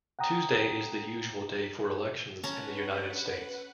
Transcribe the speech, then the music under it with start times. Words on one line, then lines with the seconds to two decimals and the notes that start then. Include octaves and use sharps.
Tuesday is the usual day for elections in the United States.
0.19 F#5 G5 A#5 D#6
2.44 C#4 B4 F#5 A5 A#5